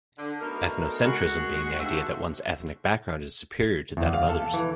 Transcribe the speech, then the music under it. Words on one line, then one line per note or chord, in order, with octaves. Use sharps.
Ethnocentrism being the idea that one's ethnic background is superior to that of others.
D3
B2 A3 D#4 A#4
G#3 F#4
D#2 D4 F#4 A4 C5 E5
E2
F5
A4
E3